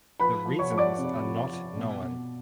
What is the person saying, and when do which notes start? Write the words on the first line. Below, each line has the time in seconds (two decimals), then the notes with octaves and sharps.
The reasons are not known.
0.20 F3 B4 B5
0.45 F3
0.59 C#5 C#6
0.72 F3
0.78 D5 D6
0.98 C3
1.23 F3
1.50 F3
1.76 B2
2.02 B2